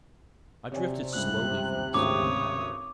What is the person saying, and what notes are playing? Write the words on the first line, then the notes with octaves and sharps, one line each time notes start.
I drifted slowly from the schooner.
C3 C#5 D5 G#5
C#2 G2 F#6
G#1 D2 C#3 C#5 D6 D#6